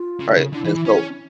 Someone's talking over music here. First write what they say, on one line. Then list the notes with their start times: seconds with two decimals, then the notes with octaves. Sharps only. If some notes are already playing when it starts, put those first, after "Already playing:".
right? And so
Already playing: F4
0.20 C#3
0.37 C#3
0.53 D3 E4
0.65 E3
0.75 E3
0.86 C#4